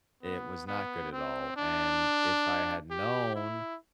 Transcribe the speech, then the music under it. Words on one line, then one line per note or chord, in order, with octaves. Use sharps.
It was not good at all, and if I had known
B3
B3
C4
D4
G4
E4